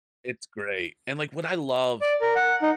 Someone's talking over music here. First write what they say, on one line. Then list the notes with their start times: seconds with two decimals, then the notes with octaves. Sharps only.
it's great, and, like, what I love,
2.01 D5
2.21 A#4
2.36 F#5
2.62 D#4